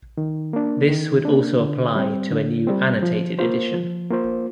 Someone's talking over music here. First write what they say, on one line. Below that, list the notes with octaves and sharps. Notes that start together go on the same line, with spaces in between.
This would also apply to a new annotated edition.
D#3
A#3 D4
D#3
A#3 D4
D3
G3 C4
D3
G3 C4
F3
A#3 F4 C5
F3
A#3 F4 C5